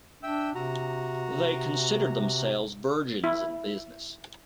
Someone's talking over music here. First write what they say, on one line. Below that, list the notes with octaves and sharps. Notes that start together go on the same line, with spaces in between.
They considered themselves virgins in business.
D4 E5 G5 E6
C3 F#4 A#5
E4